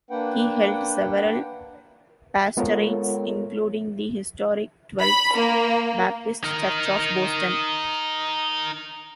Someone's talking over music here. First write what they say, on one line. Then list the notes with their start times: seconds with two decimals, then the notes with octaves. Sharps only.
He held several pastorates, including the historic Twelfth Baptist Church of Boston.
0.11 A#3 D4 B4 F#5 G5
2.57 G#3 B3 F4 A4 A#4 C#5
5.02 B5
5.37 A#3
6.44 D#4 A#4